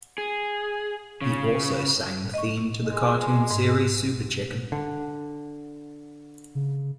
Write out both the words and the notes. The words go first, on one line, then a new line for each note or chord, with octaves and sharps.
He also sang the theme to the cartoon series Super Chicken.
G#4
C#3
D#5 C#6
G#3
G#2
D3
C#3